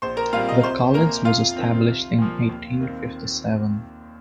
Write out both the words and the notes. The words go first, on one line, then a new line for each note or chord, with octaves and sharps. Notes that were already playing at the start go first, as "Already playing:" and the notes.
The college was established in eighteen fifty seven.
A#1 C5 C6
A#4 A#5
A#2 G3 C4 F4 F5
D#5
C2 C5 C6
A#2 A#3 A#4 A#5
F2 F4 F5
D#3 C4
C2
A#2 F3
D#2
D#3 C4